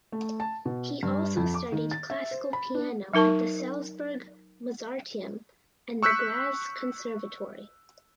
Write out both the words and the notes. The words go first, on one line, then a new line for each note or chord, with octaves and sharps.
He also studied classical piano at the Salzburg Mozarteum and the Graz Conservatory.
A3
A5
B2
G2
F2
D6
D#3
A6
E5
C5
B5
D4
F#3 D#4 A#4 A5 C#6
C#6 E6 F#6 G6 B6 C#7